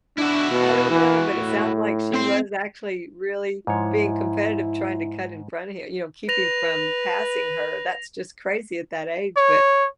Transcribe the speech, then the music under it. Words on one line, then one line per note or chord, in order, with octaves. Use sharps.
I don't know, but it sounds like she was actually really being competitive trying to cut in front of hi you know, keeping from passing her. That's just crazy at that age, but
D4 E4 F#4
B2
E3
A2
C4 C6
G#2 F3 E4 C#5
B4 A#6 F7
C#5